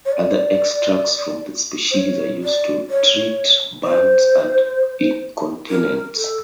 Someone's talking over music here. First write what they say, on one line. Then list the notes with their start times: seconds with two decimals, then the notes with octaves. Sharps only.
Other extracts from the species are used to treat burns and incontinence.
0.05 C#5
0.12 D5
1.91 C5
1.97 C#5
2.44 D5
2.90 C#5
3.84 C5
5.69 A#4
6.16 A4